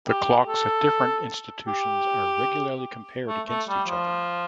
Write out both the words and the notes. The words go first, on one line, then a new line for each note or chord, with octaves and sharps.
The clocks at different institutions are regularly compared against each other.
G4
A4
G4
A3
A3
G3
F3